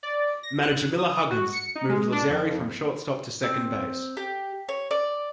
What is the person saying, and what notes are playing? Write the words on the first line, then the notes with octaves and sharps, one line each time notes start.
Manager Miller Huggins moved Lazzeri from shortstop to second base.
D5
A#6
F#6
D#6
F#4
C#7
D#4
G#3
D4
F2
C4
G4
C#5
D5